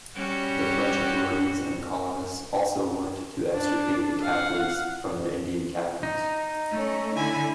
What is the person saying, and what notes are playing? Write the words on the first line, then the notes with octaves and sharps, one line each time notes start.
French authorities and colonists also worked to extricate the captives from their Indian captors.
G3 C#4 F#4
D4
F5 F#5
D#4
A3 C#4
D3 E4 G#5